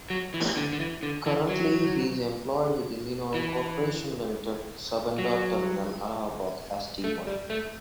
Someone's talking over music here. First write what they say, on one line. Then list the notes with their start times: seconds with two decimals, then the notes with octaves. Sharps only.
Currently, he is employed with Indian Oil Corporation Limited, Subedar Terminal, Allahabad as Dy.
0.10 F#3
0.34 E3
0.57 D3
0.73 D3
0.80 E3
1.03 D3
1.26 E3
1.49 F#3
3.34 E3
5.18 F#3
7.04 A3
7.27 G3
7.50 A3